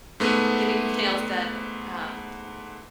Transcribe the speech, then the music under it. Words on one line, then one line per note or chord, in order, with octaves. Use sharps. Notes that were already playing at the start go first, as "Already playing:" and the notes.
getting your nails done, um
G#2 A3 B3